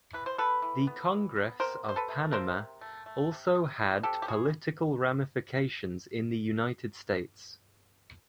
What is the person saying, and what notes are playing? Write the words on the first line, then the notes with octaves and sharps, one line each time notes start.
The Congress of Panama also had political ramifications in the United States.
E3 B4
C5
B3 A4 B4
E3
B3
E3
B3
C3 A#4 C5
C3 C5
A4 B4
A3
F3 A#4 C5
C3
A3
A3
C3
C3
E3
C3 G4 A4
G4
E3 F#4 G#4